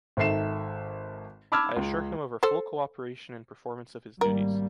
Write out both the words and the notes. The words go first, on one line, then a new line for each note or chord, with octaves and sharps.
I assure him of our full cooperation in performance of his duties.
G#1 D#3 A4 E5 C7 E7
A5 B5 D6 E6 F6 G#6
C#2
A4 C5
G#1 G3 A#3 A#4